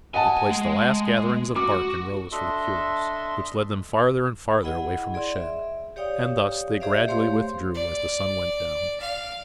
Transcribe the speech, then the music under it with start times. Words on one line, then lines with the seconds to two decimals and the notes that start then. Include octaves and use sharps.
They placed the last gatherings of bark in rows for the curers, which led them farther and farther away from the shed; and thus they gradually withdrew as the sun went down.
0.14 D#5 F#5 G#5 A5
0.50 G#3
1.56 F#4 D6
2.32 D4 A4 D#5 E5 C6
4.62 E4 G#4 D#5 F#5 G5 B5
5.14 G#4 D5 C6
5.32 E5
5.96 G4 C#5 D5 F5 G5 D#6
6.80 G4 G#4 C5 D5 E5 F5
7.08 A3 G4 C5 C#5 F5 C6
7.75 D5
9.00 F5